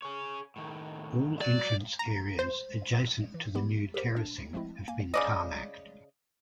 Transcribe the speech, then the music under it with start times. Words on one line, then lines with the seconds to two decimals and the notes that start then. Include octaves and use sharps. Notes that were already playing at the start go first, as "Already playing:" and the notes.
All entrance areas adjacent to the new terracing have been tarmacked.
0.02 G#4 C#5
0.56 A2 D#3
1.41 F#3 D5
1.99 A#5
2.39 C5
3.34 E3
3.55 E3 G3 B3 G4 B5
3.94 G4 G#4 A#4 C5
4.16 D4
4.53 F3 G#3 A3 C4 E4
4.88 A#3 F5 G#5
5.14 C#3 D5 D#5